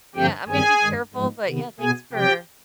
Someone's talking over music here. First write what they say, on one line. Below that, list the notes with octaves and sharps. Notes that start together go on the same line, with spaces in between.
Yeah, I'm gonna be careful, but, yeah, thanks for
G2 D3 F3 C4 G4 G5
G2 D#3 G3 C4 G#4 G#5
G2 D#3 G#3
G#2 F3 G#3 B3
C3 D#3 B3
B2 B3 G#4 G#5
C3 F3 C4 G4 G5